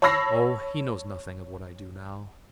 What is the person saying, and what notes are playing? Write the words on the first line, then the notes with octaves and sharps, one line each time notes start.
"Oh, he knows nothing of what I do now."
C#5 A5 B5 E6 A#6 C7